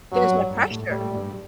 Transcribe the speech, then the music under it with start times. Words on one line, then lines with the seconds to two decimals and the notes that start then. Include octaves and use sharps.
There's no pressure.
0.12 G2 F#3
0.31 G2
0.50 G2
0.71 A2
0.89 A2 G3
1.11 A2
1.15 G2